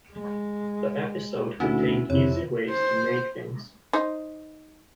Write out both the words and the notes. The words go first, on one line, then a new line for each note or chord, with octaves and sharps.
The episode contained easy ways to make things.
G#3
D2 C#4 D#4 E4 F#4
F2 C3 E4 C#5
C5
D#4 C5